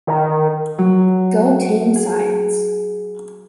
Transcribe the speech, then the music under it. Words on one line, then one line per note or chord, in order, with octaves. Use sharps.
Go team science!
D#3
F#3
G#4